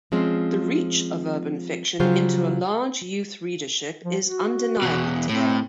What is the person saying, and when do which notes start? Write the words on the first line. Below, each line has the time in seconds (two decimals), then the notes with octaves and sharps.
The reach of urban fiction into a large youth readership is undeniable today.
0.12 F3 G#3 C4 C#4
2.00 C#3 F3 F#3 F4 G4 C5
4.04 F3
4.23 F#4
4.82 E2 B2
5.29 A2 C4